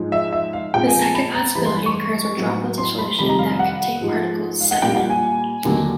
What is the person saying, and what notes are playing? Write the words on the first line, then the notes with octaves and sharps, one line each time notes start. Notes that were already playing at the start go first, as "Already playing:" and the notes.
The second possibility occurs when droplets of solution that contain particles sediment.
Already playing: G#2 F3 G#3
E5
E5
F5
A#2 F3 G#3 C4 G5
G#5
A5
B5
A#5
G2 E3 G#3 B5
C6
B5
C#6
A2 F#3 B3
C6
B5
F2 C3 D#3 G3 B5
A#5
F5
F5
F#5
G#2 F3 G#3
F5
F#5
A#2 G3 A#3 G5
F5
F#5
G#5
D#2 D3 F#3 A#3